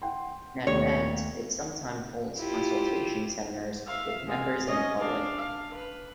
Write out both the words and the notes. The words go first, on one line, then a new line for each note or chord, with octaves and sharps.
In advance it sometimes holds consultation seminars with members and the public.
F#5 G5 C6
D#2 A3 B3 C#5
E4 F4 G4
E5 F5
G#3 F5
C#4 D#5
D4 F5
F5
B4